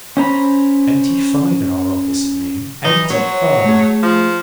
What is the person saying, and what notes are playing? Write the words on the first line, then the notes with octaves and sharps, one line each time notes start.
Eighty-five in our office at noon--eighty-five!
C#4 C5 A#5 B5
E3 D#4
F#3 C5 C#5
A3 G#4
F3